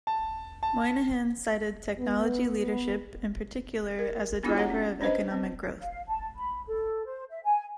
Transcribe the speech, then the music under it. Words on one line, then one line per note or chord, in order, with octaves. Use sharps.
Moynihan cited technology leadership, in particular, as a driver of economic growth.
A5
A5
B3
A#4
B3 D4 E4 F4 G4 G#4
C#5 F#5 A#5
C#4
C#4 D4 B4 C5 D#5
C4
F5
A5
B5
A4
C5
E5
G#5